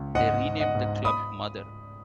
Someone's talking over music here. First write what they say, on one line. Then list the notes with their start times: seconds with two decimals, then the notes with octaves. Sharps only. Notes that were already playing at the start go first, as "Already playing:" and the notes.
They renamed the club Mother.
Already playing: C#2
0.15 G#2 D#5 F#5
0.45 G#2
0.60 D#5 F#5
0.75 G#2
1.05 B5 D#6